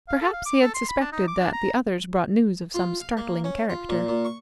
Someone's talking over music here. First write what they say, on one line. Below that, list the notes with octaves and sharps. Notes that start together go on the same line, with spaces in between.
Perhaps he had suspected that the others brought news of some startling character.
F5
A4
F5
D6
A4
C6
B5
D4
D#4
D6
D4
A#5
F4
F5
A#3
C#4
F4
A#2
A#2
C#6